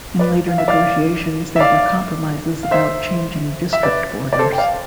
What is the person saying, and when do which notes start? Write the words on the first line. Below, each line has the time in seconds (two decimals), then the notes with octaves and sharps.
In later negotiations there were compromises about changing district borders.
0.19 B4 D5
0.48 F5
0.58 E5
0.68 D5 F5
1.56 E5
1.59 D5 F5
2.63 F5
2.71 C5 E5
3.73 E5
3.83 B4 D5
4.33 D5
4.39 A4 C5
4.52 G5
4.58 D5 F5